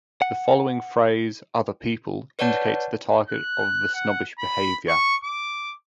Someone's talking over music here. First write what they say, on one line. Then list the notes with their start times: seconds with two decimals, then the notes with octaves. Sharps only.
The following phrase "other people" indicates the target of the snobbish behavior.
0.22 F#5
2.39 B4 C#5 D5 F#5 A5 G6
3.27 F#6
3.94 F#5
4.39 B5
4.88 C#6
5.24 D6